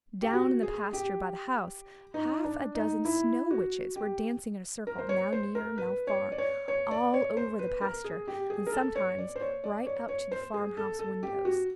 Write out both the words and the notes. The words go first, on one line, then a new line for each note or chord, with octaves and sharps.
Down in the pasture by the house half a dozen Snow Witches were dancing in a circle, now near, now far, all over the pasture, and sometimes right up to the farm-house windows.
G4
F#4
G#4
G4
D#4
D4
D#4
E4
F#4
G4
A#4
C5
C#5
C5
A#4
B4
C#5
D5
C#5
C#5
D5
C#5
C5
B4
A#4
G#4
G4
G#4
A#4
A4
C#5
D5
C5
C#5
D5
C#5
C#5
C5
G#4
A4
A4
G4
F#4